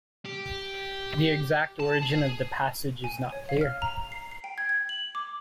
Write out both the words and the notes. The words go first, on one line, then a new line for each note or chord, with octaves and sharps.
The exact origin of the passage is not clear.
G4
A5
G#4
G#5
C#5
F5
F6
A#5
C7
C7
G5
G#6
G#6
F#7
D6